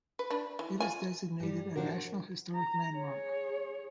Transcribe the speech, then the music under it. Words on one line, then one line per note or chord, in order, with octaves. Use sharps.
It is designated a National Historic Landmark.
B4
D4 B4
E3
F4 G#5
G2 G3
B2 F3 D4 F#4 A#4
A#5
G#4 C#5